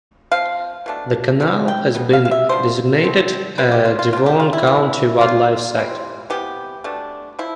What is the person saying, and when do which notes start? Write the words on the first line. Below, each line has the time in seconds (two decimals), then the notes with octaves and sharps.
The canal has been designated a Devon County Wildlife Site.
0.31 F3 C4 F5
0.86 B2 A3 D4
1.40 C3 E3 B3
1.68 G5
1.95 B2 B3
2.13 F5
2.25 F5
2.31 E5
2.49 F3 B3 D4 C5
3.04 B2 A3 C4
3.58 B2 A3 C4 B4
3.72 G4
3.85 F4
3.99 F4
4.13 B2 G3 D4 F4
4.26 G4
4.40 F4
4.53 E4
4.67 C3 E3 B3 E4
5.21 F3 B3 D4 F4
5.75 E3 G3 C4
6.30 C3 E3 B3 G4
6.84 B2 A3 D4
7.39 F3 E4